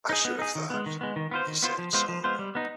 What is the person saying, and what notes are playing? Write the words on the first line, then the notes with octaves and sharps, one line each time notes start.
"I should have thought," he said solemnly.
D#4 G#4
B3
D#4 G#4
D#3
G#3 B3
D#3
G#3 B3
D#3
B3 F4 C5
D#3
B3 F4 C5
F3
G#3 B3 F4 C5
F3
G#3 B3 F4 C5
G3
B3 D#4